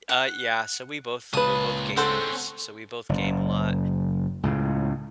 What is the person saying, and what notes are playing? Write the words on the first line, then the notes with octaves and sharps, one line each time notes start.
Uh, yeah, so, we both we're both gamers, so, we both game a lot.
F#5
C#2 A#2 B4 A5 D#6
C4 C#4 A4 C5 F#5
F#1
C#2 A2 C#3